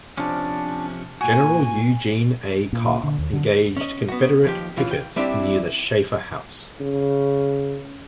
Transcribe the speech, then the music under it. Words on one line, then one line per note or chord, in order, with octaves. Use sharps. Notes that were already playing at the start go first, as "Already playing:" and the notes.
General Eugene A. Carr engaged Confederate pickets near the Shaifer House.
C3 F3 C#4 D4
A#2 F#4 G#5
A#2
D3
D#2
D3
C#4 D#5
B3 F#4
D#2 F3 G4
C#3 E3 F4
G5
G3 C4 D4 E4 F4 G4
C#3